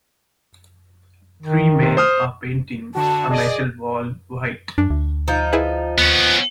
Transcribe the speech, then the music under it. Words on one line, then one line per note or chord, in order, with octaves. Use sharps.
Three men are painting a metal wall white.
D#3
C3
C5 D#6 F6
D3 F#4 A5
G#4 D5 D#5
F#2 D4
D2
F3 D#4
E4 G#4 B4
D#2 B3 C#4